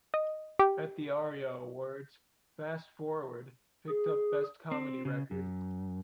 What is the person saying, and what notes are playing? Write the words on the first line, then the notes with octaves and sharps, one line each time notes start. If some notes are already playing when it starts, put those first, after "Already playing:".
At the Aria Awards "Fast Forward" picked up Best Comedy Record.
D#5
G4
G#4
C4
C#3
F#2